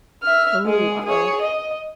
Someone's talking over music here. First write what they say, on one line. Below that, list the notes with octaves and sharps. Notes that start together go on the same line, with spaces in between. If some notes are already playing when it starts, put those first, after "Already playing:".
Oh, uh-oh.
E5 F6
G#3 G#4
G#4 C#5
D#5